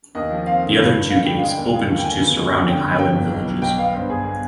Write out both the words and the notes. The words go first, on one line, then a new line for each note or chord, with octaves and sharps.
The other two gates opened to surrounding highland villages.
D#2 D#5
F3
C4 F5
D3
G2
G2
D3 F5
G3 G5
G#3 F5
G5
D#2
G#3
D#2
G5
D3 G#5
B3
G#3
D3
D3 G5
G1
F3 G5
G1
B1
B1
B1 G5
B3 F5
G2 C5
G1 G#4
G#4